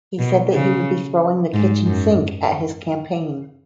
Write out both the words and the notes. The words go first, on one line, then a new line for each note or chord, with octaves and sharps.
He said that he would be "throwing the kitchen sink" at his campaign.
B2
C#3
G#2
F#2